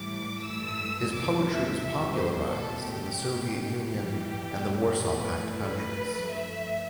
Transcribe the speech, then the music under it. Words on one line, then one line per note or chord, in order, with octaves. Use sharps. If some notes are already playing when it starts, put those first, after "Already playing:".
His poetry was popularized in the Soviet Union and the Warsaw Pact countries.
Already playing: A2 E3 G3 D6
G2 E3 A3 E6
E2 C3 E3 G3 D6
E5
E2 C3 G3 E5
C5
B2 A3 A4
G4
B2 A3
F2 E3 G3 G4
E2 B2 A3
B4
G2 E3 A3
B4
G2 F3 A3
E5